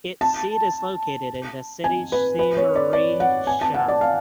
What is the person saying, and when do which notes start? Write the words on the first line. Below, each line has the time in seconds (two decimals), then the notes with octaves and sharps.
Its seat is located in the city Simrishamn.
0.21 A5
1.84 G#5
2.12 B4
2.39 B4
2.57 C#5
2.75 D5
2.93 D5
3.20 F#5
3.47 G#5
3.61 A5
3.74 F#5
3.88 D5
4.01 F5